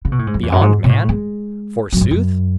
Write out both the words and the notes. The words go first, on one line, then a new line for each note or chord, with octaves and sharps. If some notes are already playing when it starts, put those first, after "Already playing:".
Beyond man, forsooth?
C#3
B2
A2
G#2
F#2
E2
F#2
G#2
B2
A2
G#3
F#3
F#2
G#2
F#2